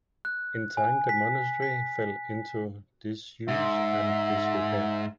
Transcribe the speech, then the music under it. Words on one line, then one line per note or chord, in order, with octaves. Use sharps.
In time the monastery fell into disuse and disrepair.
F#6
G#5
B6
B6
G#2 E5